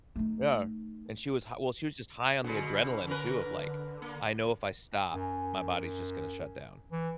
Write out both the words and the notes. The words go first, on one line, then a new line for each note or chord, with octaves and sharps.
Yeah, and she was hi well, she was just high on the adrenaline too, of, like, "I know if I stop, my body's just gonna shut down."
A3 D#4
B2 D3 G#3
C#4 A#4 B4
A#3
F#2 G#5 A#5
E3